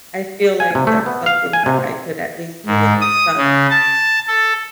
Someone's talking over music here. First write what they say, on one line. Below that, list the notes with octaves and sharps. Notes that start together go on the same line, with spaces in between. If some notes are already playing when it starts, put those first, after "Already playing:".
I feel like that's something that I could at least do with my son.
G#5
C3
A3
B3
F5
G#5
C3
G#2
D#6
C#3
A5
A4